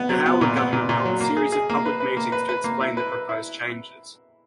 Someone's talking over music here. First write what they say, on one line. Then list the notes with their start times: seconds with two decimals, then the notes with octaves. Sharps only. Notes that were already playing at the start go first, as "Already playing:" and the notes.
The Howard Government held a series of public meetings to explain the proposed changes.
Already playing: B3
0.09 F#3
0.26 B3
0.41 A#2
0.57 B3
0.73 A#2
0.89 A#2
1.05 F#3
1.20 A#3
1.37 G#4
1.52 G#4
1.70 A#3
1.85 B4
2.00 B4
2.17 A#3
2.32 B4
2.49 B4
2.64 A#3
2.81 E4
2.97 B4
3.12 B4
3.29 E4